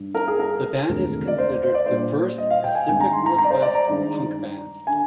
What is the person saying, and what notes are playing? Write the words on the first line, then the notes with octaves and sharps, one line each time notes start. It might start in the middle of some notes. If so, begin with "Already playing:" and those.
The band is considered the first Pacific Northwest punk band.
Already playing: G2
A#4
G#4
A#4
F1 D#2 D3 G#3
D5
C5
C5
D5
A#2 G3 A#3 D4 C5
D#5
F5
G5
G#5
G#1 G2 D#3 G#3 G#5
A#5
C6
A#5
A#5
D5
C5
D5
A#5
G2 D#3 G#3 D4
D3 G#5